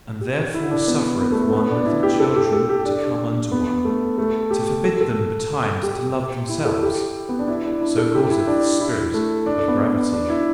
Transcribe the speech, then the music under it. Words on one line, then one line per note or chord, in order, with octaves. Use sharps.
And therefore suffereth one little children to come unto one, to forbid them betimes to love themselves--so causeth the spirit of gravity.
G4
E4
D4
B3
B3
A3
A3
B3
D4
E4
G4
A4
G4
A4
G4
D4
B3
A3
A3
G4
A4
A4
G4
E4
A4
G4
B3
D4
E4
D4
E4
A4
G4
E4
D4
E4
A3
D4
B3
B3
D4
E4